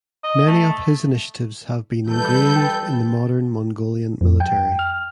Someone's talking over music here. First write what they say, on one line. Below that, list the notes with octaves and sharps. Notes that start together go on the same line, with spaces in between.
Many of his initiatives have been engrained in the modern Mongolian military.
D#5
A3
E3 G3 A4 B4 G6
G5 A6
F2
G5
F6